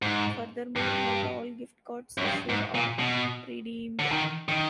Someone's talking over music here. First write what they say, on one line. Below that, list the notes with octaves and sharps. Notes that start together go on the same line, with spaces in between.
Furthermore, not all gift cards issued are redeemed.
G#2
G2
F#2
G2
G#2
A#2
B2
D3
D#3
D#3